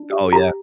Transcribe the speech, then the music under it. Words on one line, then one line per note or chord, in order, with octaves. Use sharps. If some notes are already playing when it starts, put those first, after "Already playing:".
Oh, yeah.
Already playing: D4
G4
G4 A#5